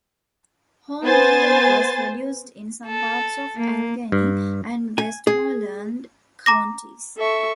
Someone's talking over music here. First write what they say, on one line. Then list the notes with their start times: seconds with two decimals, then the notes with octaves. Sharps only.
Home delivery was reduced in some parts of Allegheny and Westmoreland counties.
1.03 B3 C5 G#5 A6
2.86 A4
3.54 A#3
4.12 G2
4.98 G#5
5.27 G#4
6.46 A#5 D6 A#6
7.17 A4 E5 C#6